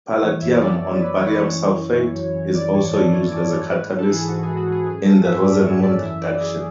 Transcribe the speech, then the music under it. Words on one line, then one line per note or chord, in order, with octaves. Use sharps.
Palladium on barium sulfate is also used as a catalyst in the Rosenmund reduction.
E3 C#5
F#2 E5
E3 D5
F#2
E3 B4
F#2 C#5
B4
E3 C#5
E3
E3
E3
F#2
F#2
E3 D5
G#2 C#5
E3 A4
E3 C#5
E3 D5
E3 C#5
G#2 B4
G#2
A4
E3 G#4
G#2 F#4
E3 G#4
F#4
G#2 G#4
F#2 G#4
F#2 A4
F#2 E5
F#2 D5
F#2 C#5
F#2 D5
E3 E5
E3 D5
E3 G#4